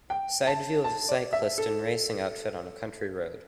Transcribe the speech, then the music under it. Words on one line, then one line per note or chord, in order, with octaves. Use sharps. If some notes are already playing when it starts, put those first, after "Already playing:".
Side view of a cyclist in racing outfit on a country road.
G5
A5
A5
D5
E5
A4